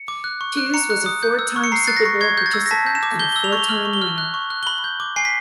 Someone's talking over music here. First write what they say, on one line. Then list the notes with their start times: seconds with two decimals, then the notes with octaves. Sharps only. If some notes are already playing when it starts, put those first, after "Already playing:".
Toews was a four-time Super Bowl participant and a four-time winner.
Already playing: C#7
0.08 D6
0.24 F#6
0.41 C#6
0.57 F#6
0.74 A#5 C#7
0.90 F#6
1.06 D#6
1.23 G6
1.39 E6
1.56 C#6
1.64 C#7
1.72 A#5 C7
1.87 F#6 A6
1.97 A#6
2.05 C#6
2.21 C#6 G#6
2.37 G6
2.46 A6
2.53 E6
2.66 A#6
2.71 A5 B6
2.86 G6
2.95 E7
3.03 D6
3.19 G6 G7
3.32 E6 G7
3.44 F7
3.52 C#6 G7
3.62 F7
3.68 F6 F#7
3.85 C#6
3.93 G7
4.02 F6
4.18 F#6
4.34 C#6
4.50 F#6
4.63 G7
4.67 B5 F#7
4.84 G6
5.00 D6
5.16 G#5 C7
5.25 B6